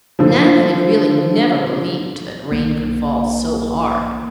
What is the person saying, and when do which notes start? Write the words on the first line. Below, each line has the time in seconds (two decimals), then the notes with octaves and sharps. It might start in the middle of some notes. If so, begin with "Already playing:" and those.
Nan had really never believed that rain could fall so hard.
0.19 D3 F3
2.51 B1 A#3